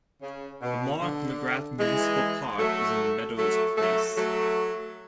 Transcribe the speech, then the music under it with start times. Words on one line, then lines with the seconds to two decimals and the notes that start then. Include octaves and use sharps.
The Mark McGrath Municipal Park is in Meadows Place.
0.22 C#3
0.62 B2
1.01 D3
1.79 E3 G#3
2.59 F#3 A3
3.38 F#3 A3
3.78 F#3 A3
4.17 F#3 A3